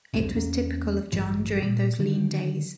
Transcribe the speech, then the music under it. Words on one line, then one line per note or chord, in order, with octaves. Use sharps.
It was typical of John during those lean days.
E1 B1 G2 C3
E2 A#3 C#4
A1 G2 E3 F#3
A#2
D3 D#3 F#3